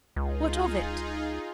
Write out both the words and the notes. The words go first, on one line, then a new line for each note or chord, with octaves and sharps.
What of it?'
C#2 D#4 F4 G#4